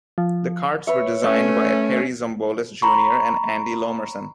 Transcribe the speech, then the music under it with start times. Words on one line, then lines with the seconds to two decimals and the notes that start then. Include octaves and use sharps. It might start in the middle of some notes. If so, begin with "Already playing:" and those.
The karts were designed by Perry Zombolis Junior and Andy Lomerson.
0.18 F3
0.87 B4 C#5 E5
1.24 A3 C#4
2.82 A#5 B5 C#6